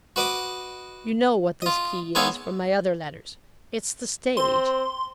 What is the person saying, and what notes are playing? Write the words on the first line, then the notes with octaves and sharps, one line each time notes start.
You know what this key is from my other letters. It's the stage.
F#4 B4 D#5 D6 D#6
F4 D#5
G#3 B3 D#4 C#5 E5 F5
C4 C6